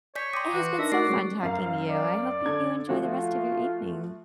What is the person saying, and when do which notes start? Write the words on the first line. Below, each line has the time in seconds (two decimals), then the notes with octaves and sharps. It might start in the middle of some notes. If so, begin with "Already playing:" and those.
It has been so fun talking to you, I hope you enjoy the rest of your evening.
0.15 C#5 D5 G#5 G6 B6
0.33 G5 A#5 C6 D6 D#6
0.52 E3 F#4
0.79 D4 D#4 A#4 E5 A#6
0.92 A3 F#4 D5 C7
1.08 F#3 G#3 C#4
1.43 F#2 A#4 F5
1.89 D5
2.45 D3 A4 G#6
2.89 F3 A3 F4 F#4